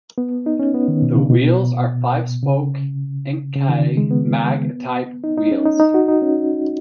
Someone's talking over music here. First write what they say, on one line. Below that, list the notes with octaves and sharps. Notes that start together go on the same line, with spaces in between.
The wheels are five-spoke Enkei mag type wheels.
B3
D#4
C#4
B3
D#3
B2
C#3
B2
C#3
C#3
D#3
G#3
B3
D#4
D#4
C#4
D#4
D#4
F#4
D#4
C#4